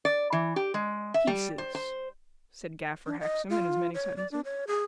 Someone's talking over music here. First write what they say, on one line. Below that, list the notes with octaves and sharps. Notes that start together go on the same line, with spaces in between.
Pieces,' said Gaffer Hexam, in as many sentences.
D5
E3
G4
G#3
E5
G3
C5
C5
D4
D#5
F4
C#5
D5
D4
C#5
G#4